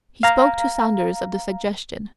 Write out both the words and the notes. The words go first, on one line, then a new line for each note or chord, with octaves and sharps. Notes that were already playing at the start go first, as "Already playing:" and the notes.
He spoke to Saunders of the suggestion.
F5 A#5